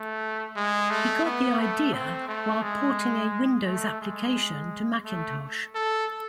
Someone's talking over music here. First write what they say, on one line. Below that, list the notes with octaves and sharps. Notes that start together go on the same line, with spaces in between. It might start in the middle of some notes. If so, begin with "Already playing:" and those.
He got the idea while porting a Windows application to Macintosh.
Already playing: A3
G#3
A3
B3
A3
C4
A3
G#3
A3
G#3
A3
A4